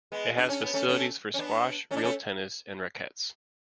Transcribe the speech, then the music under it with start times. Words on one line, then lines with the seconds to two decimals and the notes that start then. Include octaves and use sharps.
It has facilities for squash, real tennis, and racquets.
0.12 G#3 B3
0.37 D4
0.49 C#4
0.62 B3
0.74 A3 C#4
0.88 A3 C#4
1.34 C#4
1.39 B3 D4
1.91 A3 C#4
1.97 D4
2.03 A3 C#4